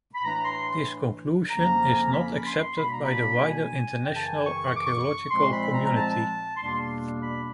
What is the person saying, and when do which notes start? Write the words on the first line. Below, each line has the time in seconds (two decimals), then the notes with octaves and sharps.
This conclusion is not accepted by the wider international archaeological community.
0.15 B5
0.24 A2 E3 A3 D4 A#5
0.45 C6
1.50 F2 C#3 F3 A#3 C#4 A#5
2.06 A#5
2.13 B5
2.46 C6
2.77 B2 G3 A#3 D4 B5
2.91 A#5
3.05 B5
3.41 G#5
4.04 F#2 C#3 E3 G5
4.15 A5
4.25 G#5
4.45 C#6
4.67 C#6
4.76 D6
4.86 C#6
5.30 A#2 F3 G#3 C4 C6
5.51 B5
5.72 A#5
5.86 A#5
5.94 A5
6.57 E2 B2 G3 A#3 D4 C6
7.20 B5